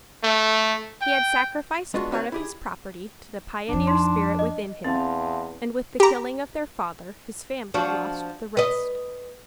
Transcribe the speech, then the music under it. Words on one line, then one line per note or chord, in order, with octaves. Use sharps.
He had sacrificed part of his property to the pioneer spirit within him, and, with the killing of their father, his family lost the rest.
A3
G5
G#3 B3 D4 F4 F#4
C4 D#4 F#4 B4 C#5 F#5
E4 G4 G#4
F2 F3 D4
D#4 C6
D#5
E2 C4 F5 A5 C6
G4 A#5
F3 D4 F#4
B4 D#5